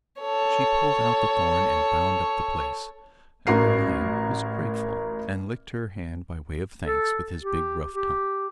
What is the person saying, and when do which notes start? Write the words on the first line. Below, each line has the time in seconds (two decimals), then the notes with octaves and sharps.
She pulled out the thorn and bound up the place, and the lion was grateful, and licked her hand by way of thanks with his big rough tongue.
0.21 A4 C#5
3.47 A1 F#4 A#4 C7
6.85 A4
7.41 G4
7.93 G4